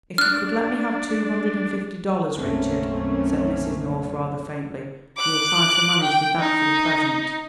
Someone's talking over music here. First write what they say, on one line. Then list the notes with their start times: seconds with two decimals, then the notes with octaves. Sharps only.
"If you could let me have two hundred and fifty dollars, Richard," said Mrs. North rather faintly, "we'll try to manage with that for the present."
0.18 D4 F6 F#6
2.37 B1 F#2 A3 A#3 C4 C#4
5.17 D6 F#6
6.02 G5
6.40 D#4